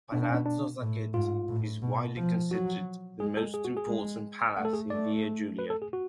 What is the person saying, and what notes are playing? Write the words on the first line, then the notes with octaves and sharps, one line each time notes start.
Palazzo Sacchetti is widely considered the most important palace in Via Giulia.
B2 D4
D4
C#4
D4
D4
A2
G#2 F4
A2
B2
F3
F#3 F#4
G#3 G#4
A4
G#4
F#4
G#4
G#3
A3 F#5
A4
G#4
A3 D5
B4
A4
G#4
F#4